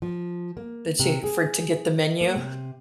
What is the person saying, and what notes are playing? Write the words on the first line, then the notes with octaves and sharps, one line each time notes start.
that you for to get the menu
F3
A#3
C3
G#4
A#3
C3